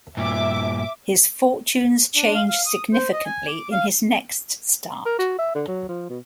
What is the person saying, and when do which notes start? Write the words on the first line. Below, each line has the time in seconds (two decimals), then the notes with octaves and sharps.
His fortunes changed significantly in his next start.
0.17 G2 A#2 E5 D6
2.15 D4
2.34 F5
2.48 F5
2.66 D#6
2.93 C5
3.12 D#5
3.25 G#5
3.47 D6
3.72 F5
5.06 A#4
5.19 F#4
5.38 E5
5.55 D3
5.68 F#3
5.89 F3
6.10 B2